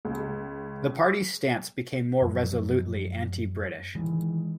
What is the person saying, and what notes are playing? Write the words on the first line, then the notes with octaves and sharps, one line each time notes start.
The party's stance became more resolutely anti-British.
C#2
F#2 F3 F#3 G#3
D#3 E3 G#3